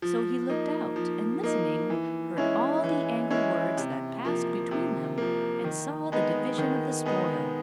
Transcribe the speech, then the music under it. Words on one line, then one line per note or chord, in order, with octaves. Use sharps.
So he looked out and listening, heard all the angry words that passed between them and saw the division of the spoil.
F3
A#3 D#4
F3
A#3 D#4
E3
G#3 C#4 E4
E3
G#3 C#4 E4
C3
F3 A#3
C3
F3 A#3
D#3
G#3 B3 D#4
D#3
G#3 B3 D#4